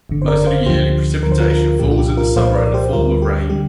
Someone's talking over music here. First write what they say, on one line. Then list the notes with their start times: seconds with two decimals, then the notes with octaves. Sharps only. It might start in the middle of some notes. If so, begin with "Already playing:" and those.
Most of the yearly precipitation falls in the summer in the form of rain.
0.09 G1 F2 D3
0.22 C5
0.28 A#4 D5
0.47 C5 F5
0.65 D2 D3 F3 G4 C5
1.23 D2 D3 F3 A#4
1.32 C5
1.40 F4 A#4
1.50 F4 A#4
1.79 C2 A#2 F3 G4
1.91 F4
1.98 G4
2.17 F4 A#4
2.36 C2 A#2 F3 C5 F5
2.55 A#4 D5
2.66 D5
2.74 G4 C5
2.93 D2 D3 G3 F4 A#4
3.22 G4
3.50 D3 G3 G4